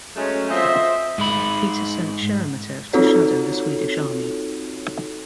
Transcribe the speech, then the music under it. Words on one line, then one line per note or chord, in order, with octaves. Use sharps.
Peter sent Sheremetev to shadow the Swedish army.
F#3 G#3 A3 C#4
C4 F4 C5 D#5 E5
G#2 G#3 B5
C4 D#4 F4 F#4 A4 C#5